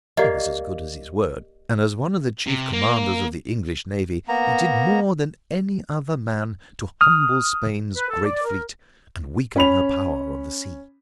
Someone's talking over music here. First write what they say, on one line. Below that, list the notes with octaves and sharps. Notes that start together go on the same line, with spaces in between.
He was as good as his word, and as one of the chief commanders of the English navy, he did more than any other man to humble Spain's great fleet and weaken her power on the sea.
A#3 G4 D5 D#5
C3
A#3
A#3 B3 A#5
D#6 F6
B4
A4
D5
A#4
C#4 B5 F7